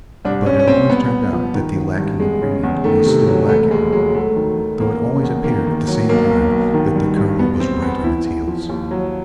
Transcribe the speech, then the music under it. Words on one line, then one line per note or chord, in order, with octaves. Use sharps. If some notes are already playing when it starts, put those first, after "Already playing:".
But it always turned out that the lacking ingredient was still lacking--though it always appeared, at the same time, that the Colonel was right on its heels.
C2 D4
C2 C#4
C#4
A#2 C4
C2 B3
C2
F3
D#3
G#1
G2
E2 G#3
C#3
E2
D#3 A3
C3
F#3
E1 A3
D#2 G#3
F#3 G#3
D2 A3
D#3
D#3
E2 A#3
C#3
E2
D#3 A#3
D#3
F#3
B1 A#3
B1
B1
D#3
G2
G2
B2 B3
B2 C4
E2 B3
E2 E4
E2
F3
D#2
F#3